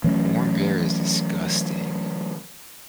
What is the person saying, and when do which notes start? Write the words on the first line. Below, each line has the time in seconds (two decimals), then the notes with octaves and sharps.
Warm beer is disgusting.
0.04 E3 F#3 A3 C#4